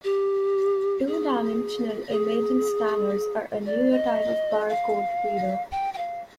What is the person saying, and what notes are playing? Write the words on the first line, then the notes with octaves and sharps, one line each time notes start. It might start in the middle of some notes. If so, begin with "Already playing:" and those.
Two-dimensional imaging scanners are a newer type of bar code reader.
G4
G#4
G#4
D5
D#5
F5
G5
G5
F5